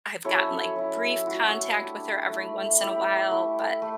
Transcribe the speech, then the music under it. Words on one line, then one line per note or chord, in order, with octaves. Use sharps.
I've gotten like, brief contact with her every once in a while, but
F#3 C#4 E4 A4 C#5
F#3 C#4 E4
A3 E4 F#4
F#4
G3 D4
A3 E4
G3 C#4 E4 G4
A3 E4
A3